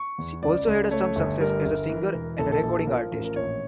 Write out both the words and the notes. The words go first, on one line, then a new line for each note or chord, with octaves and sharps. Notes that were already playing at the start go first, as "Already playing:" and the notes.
She also had some success as a singer and recording artist.
Already playing: C#6
E2
C#2 D5
C#2
A3 C#5
G1
G3 A#4
G1
E3
E1
A#1 A4
A4
A#1 A4
F3 A#4
A1 A#4
A#4
A#1 C#5